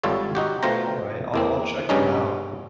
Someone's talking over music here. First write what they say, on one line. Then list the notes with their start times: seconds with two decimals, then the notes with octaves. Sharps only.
Alright, I'll I'll check them out.
0.04 G#1 G3 F4 A4 C#5
0.35 D#4 F#4 G4
0.63 B2 A3 F4 C5 G5 A#5
1.34 E2 A#3 C4
1.89 G2 C#3 G3 C#4 D#4